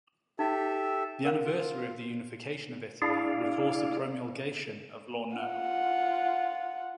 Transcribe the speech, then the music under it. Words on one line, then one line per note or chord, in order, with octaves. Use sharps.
The anniversary of the unification of Italy recalls the promulgation of law no.
D#4 G4 A4 E5
A#4 F5
F4
D4 E4 G#4 D5 F5
F4 F#5